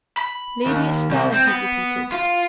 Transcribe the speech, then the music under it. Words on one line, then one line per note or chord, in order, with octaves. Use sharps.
"Lady Estelle," he repeated.
B5
D#2
C2
C4
B3
F4